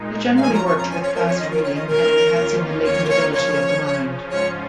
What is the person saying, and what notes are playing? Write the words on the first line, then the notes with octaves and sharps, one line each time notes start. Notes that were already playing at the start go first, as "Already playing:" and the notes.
He generally worked with fast-reading and enhancing the latent ability of the mind.
Already playing: A#2 G#3 D#4
F5
F2 F3 C#4 F4 G#5
A#5
C#6
A#5
G#5
C#5
A#4
C#5
D#3 C#4 F4 D#5
A#4
C#5
D#5
A#4
D#2 D#3 A#3 C#4 F4
C#5
A#4
C#5
C#3 F3 C#4 C#5
G#2 F3 C#4 F4 C#5